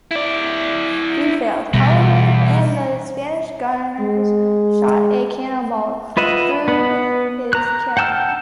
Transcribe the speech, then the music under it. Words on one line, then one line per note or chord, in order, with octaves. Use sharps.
He failed, however, and the Spanish gunners shot a cannonball through his cabin.
E4 D5
E2 B2 G3
G#3
F4 B4 D#5 E5 F#5
B3 B4
A#5 F#6
F#5 G5 A5 E6 F6